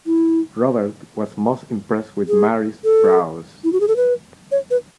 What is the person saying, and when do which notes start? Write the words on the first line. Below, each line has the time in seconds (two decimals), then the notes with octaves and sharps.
Robert was most impressed with Mary's prowess.
0.06 E4
2.28 G#4
2.84 A4
3.64 E4
3.73 F#4
3.80 G#4
3.88 A4
3.96 B4
4.52 C#5
4.71 B4